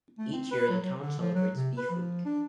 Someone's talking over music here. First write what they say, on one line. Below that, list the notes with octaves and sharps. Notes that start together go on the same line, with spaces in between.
Each year the town celebrates Beef Week.
A3
C4
B4
F#3
F#3
D3
F3
F#3
C3
B4
F3
D4